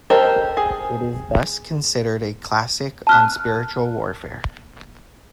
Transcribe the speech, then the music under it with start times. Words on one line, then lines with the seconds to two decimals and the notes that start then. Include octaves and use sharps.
It is thus considered a classic on spiritual warfare.
0.10 G4 A4 A#4 C5 D#5
0.57 G#4
3.07 A5 F6 F#6